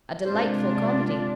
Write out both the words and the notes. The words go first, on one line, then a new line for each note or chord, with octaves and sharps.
A delightful comedy.
C3 G#3 D4 F4 C5
D5